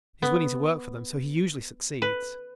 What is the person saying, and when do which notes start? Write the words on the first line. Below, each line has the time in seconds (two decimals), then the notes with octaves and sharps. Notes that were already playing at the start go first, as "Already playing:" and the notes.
He is willing to work for them, so he usually succeeds.
0.22 B3
2.02 B4